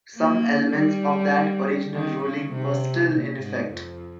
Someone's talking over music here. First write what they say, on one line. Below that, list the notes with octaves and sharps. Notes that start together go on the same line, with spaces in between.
Some elements of that original ruling were still in effect.
A#3
G3
D#3
C#3
C3
A#2
G#2
F2